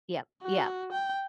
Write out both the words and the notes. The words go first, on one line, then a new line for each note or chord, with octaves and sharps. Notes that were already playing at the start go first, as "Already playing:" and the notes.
Yep, yep.
F#4
G5